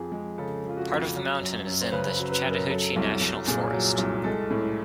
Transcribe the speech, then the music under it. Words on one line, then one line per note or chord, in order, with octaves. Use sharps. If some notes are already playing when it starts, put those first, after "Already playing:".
Part of the mountain is in the Chattahoochee National Forest.
Already playing: F2 F3 G#4
G#3
C#3 A4
F3
F4
F#4
F2
F#3
F#2
F#2
C5
C#3 B4
B4
F#3
B4
F#2
A#4
F#3 A4
C2
C2
A#2 G#4
F#3
C2
G#3 A4
A2